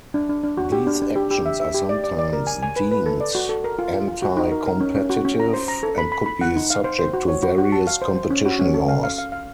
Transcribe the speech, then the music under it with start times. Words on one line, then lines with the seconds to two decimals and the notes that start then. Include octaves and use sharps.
These actions are sometimes deemed anti-competitive and could be subject to various competition laws.
0.14 D4
0.29 D4
0.44 D4
0.57 F#4
0.72 G4
0.87 D4
1.02 D4
1.16 G4
1.31 G4
1.46 E5
1.60 E5
1.74 G4
1.89 D5
2.04 D5
2.19 D5
2.33 A#4
2.47 G#5
2.63 G#5
2.76 B4
2.92 B4
3.06 A4
3.21 D5
3.35 F#4
3.49 A4
3.64 A#4
3.79 F4
3.93 F4
4.08 F4
4.22 F#4
4.37 D#4
4.52 A#4
4.66 A#4
4.80 C#4
4.95 C#4
5.10 F#4
5.25 C#4
5.40 A#5
5.53 C5
5.68 A#5
5.83 A4
5.98 B5
6.12 B5
6.26 B5
6.41 F#5
6.56 D#4
6.70 F5
6.84 C5
6.99 C5
7.14 F#4
7.28 C#5
7.43 F#4
7.58 F#4
7.72 A5
7.87 F5
8.02 C5
8.15 C5
8.30 C#4
8.46 F#4
8.59 C#4
8.74 A4
8.89 F5
9.04 F5
9.18 F5
9.32 F5